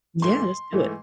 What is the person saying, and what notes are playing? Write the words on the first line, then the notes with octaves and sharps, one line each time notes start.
Yeah, just do it.
G#2 E3 A3 C6
G#2 E3 A3